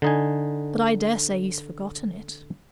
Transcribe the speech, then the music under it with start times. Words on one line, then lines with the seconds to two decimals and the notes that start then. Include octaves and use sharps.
"But I dare say he's forgotten it."
0.02 D3 D#4 G#5